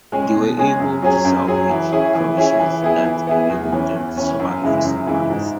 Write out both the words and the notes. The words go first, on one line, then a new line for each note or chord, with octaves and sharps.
They were able to salvage provisions that enabled them to survive for some months.
G#3 C#4 G#4
B2
G#3 C#4 G#4
F#2
F#3 C#4 G#4
F#2
F#3 C#4 G#4
E3
C#4 E4 G#4
E3
C#4 E4 G#4
E3
B3 E4 G#4
E3
B3 E4 G#4
E2
E3 C#4
E2
E3 C#4
F#2
C#3 E3 G#3 E4
F#2
C#3 E3 G#3 E4
G#2